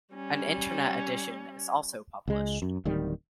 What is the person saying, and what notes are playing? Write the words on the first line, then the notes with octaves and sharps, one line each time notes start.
An Internet edition is also published.
G3 C#4
C#2 G#3
F#2
D1 D#3 G3